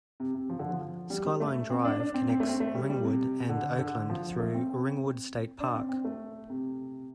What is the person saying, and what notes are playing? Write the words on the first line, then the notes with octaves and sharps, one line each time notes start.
Skyline Drive connects Ringwood and Oakland through Ringwood State Park.
C3
C3
F3
D3
F3
G3
G3
A3
C4
D4
D4
C4
C4
A3
C4
A3
G3
G3
C3
D3
D3
F3
A3
C4
C4
D4
C4
C4
A3
C3